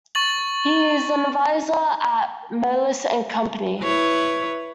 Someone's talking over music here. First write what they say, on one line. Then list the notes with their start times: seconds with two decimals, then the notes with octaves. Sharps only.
He is an advisor at Moelis and Company.
0.15 C#6 A6 F#7
3.81 E4 B4 C#5